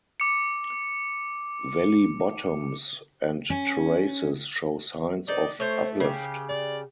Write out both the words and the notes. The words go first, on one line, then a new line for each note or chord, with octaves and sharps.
Valley bottoms and terraces show signs of uplift.
D6 C#7
C#4
D#4 D5
A3 C5 C#5
C#3 G4
D5